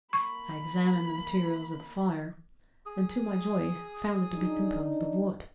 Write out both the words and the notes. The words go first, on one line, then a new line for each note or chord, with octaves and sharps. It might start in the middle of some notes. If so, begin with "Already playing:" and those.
I examined the materials of the fire, and to my joy found it to be composed of wood.
A#3 B5 C#6
G#4 D#6
D4 D#4